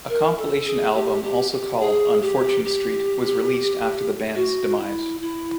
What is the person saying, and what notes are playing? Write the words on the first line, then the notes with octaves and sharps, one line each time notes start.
A compilation album, also called "On Fortune Street", was released after the band's demise.
A#4
A4
G#4
G4
G4
G4
G#4
G4
G4
F#4
E4
E4